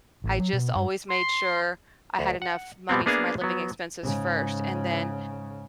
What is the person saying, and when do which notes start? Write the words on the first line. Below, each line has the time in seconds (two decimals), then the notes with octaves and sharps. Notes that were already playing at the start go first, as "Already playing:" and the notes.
I just always made sure I had enough money for my living expenses first and then
0.24 A1
0.39 F#3
0.53 B2
0.76 G2
1.09 C6
2.19 D2
2.42 F#5
2.89 B2 G3 B3 C4
3.06 A#3 B3 D4 G#4 E5 F5
3.41 F#3 B3
4.03 G#2 C#3